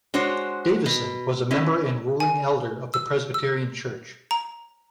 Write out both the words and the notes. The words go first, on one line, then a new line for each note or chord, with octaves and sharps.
Davisson was a member and ruling elder of the Presbyterian Church.
G#3 D4 F#4 C5 C#5
B2
C#4 E4 D#5
G#5
E6
E6
A#5